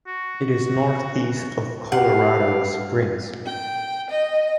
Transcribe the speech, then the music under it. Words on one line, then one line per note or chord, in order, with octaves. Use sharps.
It is northeast of Colorado Springs.
F#4
G4 F5 F#5
G5
D#5